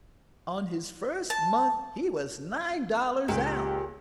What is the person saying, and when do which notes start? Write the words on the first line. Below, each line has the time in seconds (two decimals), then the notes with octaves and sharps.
On his first month he was nine dollars out.
1.30 A5
3.28 C#2 A#2 G4